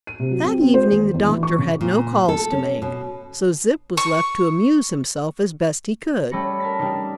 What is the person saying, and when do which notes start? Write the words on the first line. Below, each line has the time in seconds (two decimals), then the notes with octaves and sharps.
That evening the doctor had no calls to make, so Zip was left to amuse himself as best he could.
0.07 D#7
0.19 C3
0.31 F#3
0.44 C4
0.61 C4
0.74 C5
0.91 D#2
1.14 E2
1.29 E3
1.43 C#6
1.59 C#3
1.81 A#2
2.29 A4
2.52 C#4
2.82 B2
3.97 C#6
6.31 G3 A3 C#4 B5 A#6 C#7
6.60 A#4 A5 B6
6.79 G3 D4 D#4